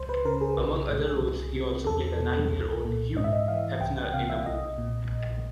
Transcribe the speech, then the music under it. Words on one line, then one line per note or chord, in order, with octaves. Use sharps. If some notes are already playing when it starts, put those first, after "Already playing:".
Among other roles, he also played a nine-year-old Hugh Hefner in a movie.
Already playing: C#2 C5
B4
C#3 A#4
G#4
B1
A2
C2
C3
E2 A4
B2
C2
A#2
G#2 D#5
E5
D#5
E3 F5
C2 G5
F#5
C3 F5
E5
B1 D#5
A#2
A#1